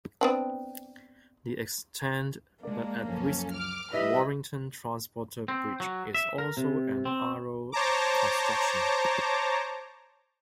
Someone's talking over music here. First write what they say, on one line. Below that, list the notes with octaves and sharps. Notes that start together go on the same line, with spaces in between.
The extant but at-risk Warrington Transporter Bridge is also an Arrol construction.
B3 C4 D4
G#3 A#3 D4 A#4 D5
C#2 F#2 F3 C#4 A4
D6 F6
A2 G3 B4 D#5 E5 B6
C4
F#3
E5
A#4
C3
C4
C5 C#5 A5 A#5 D6